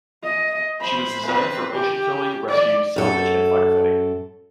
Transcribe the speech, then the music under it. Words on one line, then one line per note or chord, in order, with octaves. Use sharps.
She was designed for ocean towing, rescue, salvage and fire-fighting.
D#5
C5 B5
C4 B4
G4
D5
F#2 A4